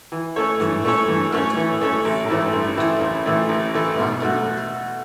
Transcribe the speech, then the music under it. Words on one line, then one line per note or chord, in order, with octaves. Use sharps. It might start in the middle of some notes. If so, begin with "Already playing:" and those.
The move reunited her with former Notre Dame coach Randy Waldrum.
E3
A3 C#4 A4 C#5
E3
A3 C#4 A4 C#5
E3
A3 C#4 A4 C#5
E3
A3 C#4 A4 C#5
A1
A2 E3 A3 E4
A1
A2 E3 A3 E4
A1
A2 E3 A3 E4
A1
A2 E3 A3 E4
B2
A3 F#4